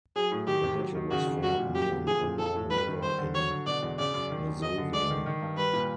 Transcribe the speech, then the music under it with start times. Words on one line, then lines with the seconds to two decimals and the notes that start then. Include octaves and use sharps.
The battle was fought near an unknown river in Masovia.
0.16 F#3 G#4
0.31 A2
0.47 D#3 G4
0.63 C3
0.79 F#3
0.95 D#3
1.11 C#3 F#4
1.27 F2
1.43 G3 F#4
1.59 A#2
1.75 F#3 G4
1.91 D3
2.07 F3 G#4
2.23 A#2
2.39 F3 A4
2.55 A2
2.70 G3 B4
2.87 D#3
3.02 G3 C5
3.18 D3
3.34 F#3 C#5
3.50 D3
3.66 B2 D5
3.83 E2
3.98 C#3 D5
4.14 F#2
4.31 D#3
4.46 F#2
4.62 F#3 D#5
4.78 D3
4.94 G#3 D5
5.10 D#3
5.26 D#3
5.42 G2
5.57 G3 B4
5.73 A#2